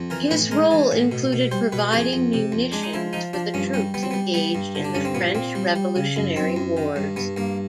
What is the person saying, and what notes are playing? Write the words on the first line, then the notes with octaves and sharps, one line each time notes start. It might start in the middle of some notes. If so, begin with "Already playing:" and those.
His role included providing munitions for the troops engaged in the French Revolutionary Wars.
Already playing: F2
E3 A#4
A2 B4
G#3 A#4
E3
A2
B2
B2
G3 C5
B2 B4
F2 G#4
F2
C3
F2
G#3 D4
D#4
F3 E4
F3 D#4
F3 D4
G2 C#4
G3 C#4
G3 B3
C4
B3
G3
G3 B3
G2
D3
D4
G2 C#4
C4
A#2 B3
A#2 C4
G3
G3
C#3
F#2
F#2 C4
F#2
D#3
G2
G2 B3
G2 A#3